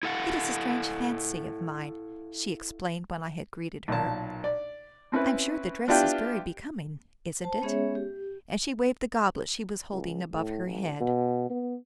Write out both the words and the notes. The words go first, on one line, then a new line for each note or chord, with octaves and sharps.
"It is a strange fancy of mine," she explained, when I had greeted her. "I'm sure the dress is very becoming--isn't it?" And she waved the goblet she was holding above her head.
E4 A4 F5 F#5
B1 A#2 A5
D5
C4 C#4 E4 B4
B3 D4 E4 F4 G4 G5
C5 A5
G#3 B3 C#4 G#4 C#5 E5
G4
C#2
A2
A1
B2
B3